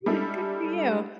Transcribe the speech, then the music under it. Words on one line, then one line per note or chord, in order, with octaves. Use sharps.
Yeah, good for you.
G3 G#3 D4 E4 A4